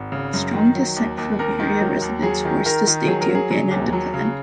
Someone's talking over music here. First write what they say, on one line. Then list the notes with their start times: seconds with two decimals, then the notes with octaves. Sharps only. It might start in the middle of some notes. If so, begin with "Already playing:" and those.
Strong dissent from area residents forced the state to abandon the plan.
Already playing: G#1
0.12 C#3
0.33 F#2
0.53 D#3
0.75 F#3
0.96 D#2
1.18 D#2
1.39 D#2 A#4
1.60 D#3
1.81 F#3
2.02 D#2
2.23 F#3 G#4
2.45 D#3
2.66 D#3 A#4
2.87 D#3
3.07 F#3 G#4
3.21 A#4
3.29 F#3
3.35 G#4
3.51 F#3
3.71 D#2
3.93 F#3
4.14 C#3